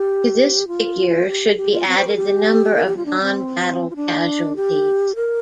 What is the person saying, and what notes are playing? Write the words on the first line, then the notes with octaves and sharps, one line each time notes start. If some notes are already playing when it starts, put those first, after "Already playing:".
To this figure should be added the number of nonbattle casualties.
Already playing: G4
F4
G4
G4
F4
C4
C5
A#4
G4
A#4
G4
F4
D4
C4
F4
D4
G4
A#4